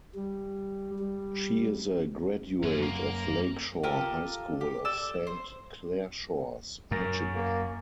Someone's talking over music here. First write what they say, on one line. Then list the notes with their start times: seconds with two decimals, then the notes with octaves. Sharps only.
She is a graduate of Lake Shore High School of Saint Clair Shores, Michigan.
0.15 G3
0.99 G3
2.63 F#2 F#3 G#5
2.83 A#3
3.83 F4 G4 A4 A#4
4.61 G4
4.85 A4 D5 E6
5.27 C5
6.91 F#2 A#4
7.35 A#3